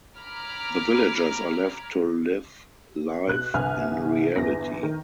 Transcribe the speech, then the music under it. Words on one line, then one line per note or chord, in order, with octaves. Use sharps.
The villagers are left to live life in reality.
A#5 B5 D6 F6 G#6
B2 F#6
G1 C2 G#5 F6 F#6
G1 E2 B3 A#6
D#3